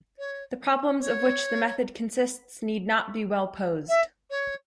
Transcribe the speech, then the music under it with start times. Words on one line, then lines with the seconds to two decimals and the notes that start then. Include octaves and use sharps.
The problems of which the method consists need not be well-posed.
0.19 C#5
1.01 C#5
3.89 E5
4.30 C#5